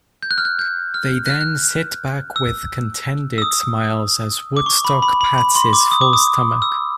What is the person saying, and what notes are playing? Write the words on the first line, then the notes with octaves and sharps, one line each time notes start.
They then sit back with contented smiles as Woodstock pats his full stomach.
G6
F#6
F6
F#6
G6
F6
F#6
F6
F#6
E6
E6
D#6
D6
C#6
B5
B5
B5
B5
C6
D6
D#6
D6
D#6
E6